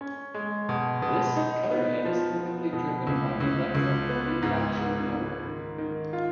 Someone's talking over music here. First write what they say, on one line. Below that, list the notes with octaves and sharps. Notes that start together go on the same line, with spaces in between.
This cutter head is typically driven by an electric induction motor.
C#4
G#3
B2
B2
D#4
B3
F3
B3
B2
C#2
C#2
C#2
B3
G#2
G#2
G#2
D#3
D#3
F4